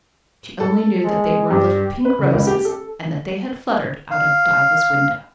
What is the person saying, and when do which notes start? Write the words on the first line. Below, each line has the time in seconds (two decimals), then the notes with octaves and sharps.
She only knew that they were little pink roses, and that they had fluttered out of Diva's window. . . .
0.60 A4
1.04 G#3
1.51 G2 G4
2.05 B4
2.19 C#3
2.33 C#2
2.47 G4
2.65 A4
4.11 F5